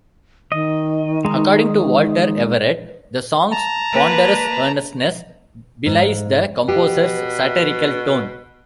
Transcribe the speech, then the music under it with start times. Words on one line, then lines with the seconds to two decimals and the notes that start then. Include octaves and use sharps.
According to Walter Everett, the song's ponderous earnestness ... belies the composer's satirical tone.
0.52 D#3 D#5
1.25 G#3 D#4
3.52 A5 A#5
3.92 A#3 B4
5.86 G#2
6.68 B2 G4